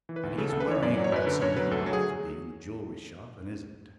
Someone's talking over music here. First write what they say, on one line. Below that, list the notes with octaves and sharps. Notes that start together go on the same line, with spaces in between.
And he's worrying about something that ought to be in the jewelry shop and isn't.
E3
B4
D2
C#3 A4
A4
D2
B4
E3 C#5
F#2 D5
D5
F#3
C#5
F#2 B4
D3 B4
F#2 C#5
F#3 B4
D2 A4
F#3
G#4